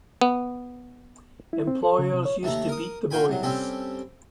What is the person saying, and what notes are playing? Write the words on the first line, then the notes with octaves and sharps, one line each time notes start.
Employers used to beat the boys.
B3
E4
C4
A4
C#3
C3
C#5
D#2 A3 A4 A#5
A#4 D#6
F4 F#4 F5 G5 G#5 B5
C2 F#3
G3 C4 C#4 G4 A4